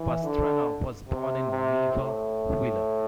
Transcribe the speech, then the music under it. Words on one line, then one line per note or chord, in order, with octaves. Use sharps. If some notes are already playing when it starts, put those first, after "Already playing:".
Pastrana was born in Neiva, Huila.
Already playing: E3
D3
C3
C3
A2